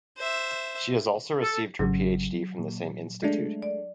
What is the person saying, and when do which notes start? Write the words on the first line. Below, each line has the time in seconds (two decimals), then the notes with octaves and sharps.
She has also received her PhD from the same institute.
0.18 C5 E5
1.40 A4
1.79 G#1 C#3 F#3
2.59 A#2
3.22 G#3 A3 D4
3.62 D5